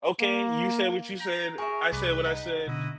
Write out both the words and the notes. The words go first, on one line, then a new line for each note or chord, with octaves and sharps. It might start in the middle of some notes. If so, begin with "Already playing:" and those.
"Okay, you say what you said, I said what I said.
A#3
G5 A#5
G#4 A#4 E5 C#6
C2 B4 D5 D6
D#4 F#5
B2 D3 E4 F#4 D#5